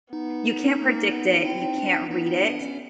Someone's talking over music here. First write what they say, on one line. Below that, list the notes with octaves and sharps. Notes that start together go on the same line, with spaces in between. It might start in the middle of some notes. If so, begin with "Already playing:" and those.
you can't predict it, you can't read it,
B3 D#4
A#3
B3
C4 E4
D#4
D4
D#4
B3 D#4
D#4
D4
C#4